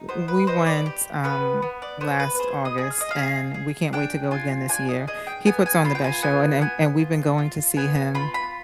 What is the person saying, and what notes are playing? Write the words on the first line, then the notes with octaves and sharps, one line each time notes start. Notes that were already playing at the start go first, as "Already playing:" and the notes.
We went, um, last August, and we can't wait to go again this year. He puts on the best show, and and and we've been going to see him,
Already playing: D#4
B3 C5
B4
D#4 C5
D5
G4
B3 B4
B3
D5
B3 C5
B4
G#4 C5
D#5
G#4
F5
D#5
F5
G#4
G#4
D4 G5
F4 G#5
D4 G#5
D#5
G#4 D#5
G5
B3 G#5
G#5
F4 B5
G5
G#5
B3 G#5
B3 G#5
F4
F4
B3 G#5
G#5
F4 B5
B5